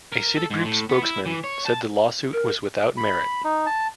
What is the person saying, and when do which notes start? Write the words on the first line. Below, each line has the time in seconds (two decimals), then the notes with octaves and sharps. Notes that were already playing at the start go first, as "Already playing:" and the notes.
A Citigroup spokesman said the lawsuit was without merit.
0.12 A#4
0.36 A4
0.50 G#2
0.64 A2
0.89 B3
1.02 E4
1.25 E3
1.44 C#5
1.66 A5
2.33 A#4
2.97 B5
3.44 D#4
3.66 A5